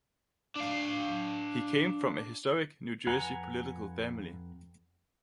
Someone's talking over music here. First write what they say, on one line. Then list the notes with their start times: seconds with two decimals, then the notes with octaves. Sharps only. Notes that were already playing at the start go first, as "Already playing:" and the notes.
He came from a historic New Jersey political family.
0.56 D4 F5
3.07 F2 B4 F#5 G#5 A#5